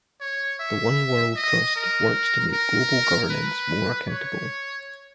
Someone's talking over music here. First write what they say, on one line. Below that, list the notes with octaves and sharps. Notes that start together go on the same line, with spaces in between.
The One World Trust works to make global governance more accountable.
C#5
E5
D#5
A#4
A#4
B4
C#5